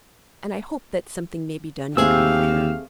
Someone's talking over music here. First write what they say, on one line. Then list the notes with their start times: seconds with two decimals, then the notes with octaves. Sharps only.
And I hope that something may be done to comfort her.
1.97 D#2 A3 C4 G4 G#4 F5 E6